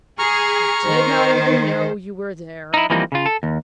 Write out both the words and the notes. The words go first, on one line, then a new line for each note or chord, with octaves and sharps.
"I did not even know you were there."
G#4 A#5 C#6 F6
D#3 C5
D#4 E4
E3 F3 G3 A#3 C4 D#4
C#3 F4
A4
D#2